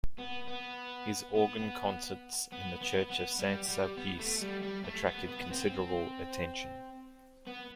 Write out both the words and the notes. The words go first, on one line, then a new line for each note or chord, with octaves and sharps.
His organ concerts in the church of Saint Sulpice attracted considerable attention.
B3
B3
B3
B3
B3
B3
G3
G3
B3
A3
G3
G3
A3
B3
B3
B3
C4
B3